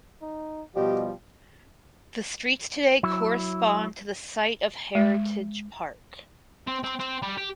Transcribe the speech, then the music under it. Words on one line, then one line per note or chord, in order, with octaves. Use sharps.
The streets today correspond to the site of "Heritage Park".
D#4
B2 F3 G3 G4 D#5
F#3 E4
G#3
C4
C4
C4
G3
G4